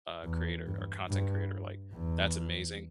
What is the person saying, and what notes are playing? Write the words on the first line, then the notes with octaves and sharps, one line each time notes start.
uh, creator or content creator, like, that's amazing,
E2
G2
G2
E2